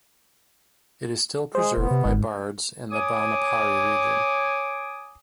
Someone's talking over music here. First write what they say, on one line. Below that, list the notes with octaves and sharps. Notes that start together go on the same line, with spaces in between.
It is still preserved by bards in the Banaphari region.
G#3 G#4 C5
F1 B3
C3
G1 G#2
C#5 G#5 D6 D#6